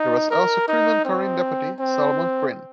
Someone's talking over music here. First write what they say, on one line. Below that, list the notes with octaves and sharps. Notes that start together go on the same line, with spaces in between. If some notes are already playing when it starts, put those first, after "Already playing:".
There was also a Crimean Karaim deputy, Salomon Krym.
Already playing: D#4
A#4
D#4
C4
C4